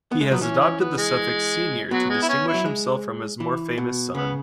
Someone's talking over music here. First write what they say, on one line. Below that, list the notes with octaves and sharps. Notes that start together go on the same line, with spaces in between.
He has adopted the suffix "Senior" to distinguish himself from his more famous son.
B3
G#3
F#3 B3
E3 C#4
C#4
B3
G#3
F#3 B3
G#3
E4
C#4
E4
F#3
G#3
E3
B2
C#3 B3